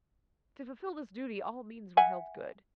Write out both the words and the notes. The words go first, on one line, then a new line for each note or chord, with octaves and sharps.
To fulfil this duty all means were held good.
E5 F#5 G#5